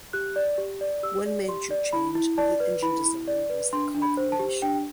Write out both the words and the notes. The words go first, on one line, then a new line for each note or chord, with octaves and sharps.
One major change of the engine design was the carburetion.
G4 F#6
D5
G4
D5
G4 E6
D5
G4 C6
D5
E4 B5
E4
D5 A5
B4
E4 B5
E4
D5
B4
D4 C6
D4
B5
C5
A5
G4
D4 G5